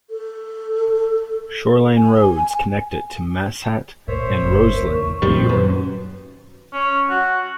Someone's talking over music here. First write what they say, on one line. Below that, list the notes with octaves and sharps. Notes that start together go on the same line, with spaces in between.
Shoreline roads connect it to Manhasset and Roslyn, New York.
A4
G#5
A#2 A#4 C5 C#5 E5
F#1
E2 G#2 A#4
D#3 E3 C#6
G#1 A#2 D#3 G3 C4 C5
F#2 B4
C#4
F#4